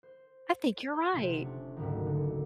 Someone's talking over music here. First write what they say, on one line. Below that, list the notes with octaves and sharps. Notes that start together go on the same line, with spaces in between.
I think you're right.
C5
C6 G#6
F1 C3
C#4 D4
F#1 D2 G#2 D#3
D3